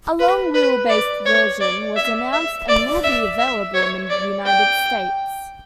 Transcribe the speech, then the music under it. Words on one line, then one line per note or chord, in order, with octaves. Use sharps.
A long wheelbase version was announced and will be available in the United States.
B4
B4
D5
C#5
D5
E5
E5
D5
E5
E5
C#5
D5
G5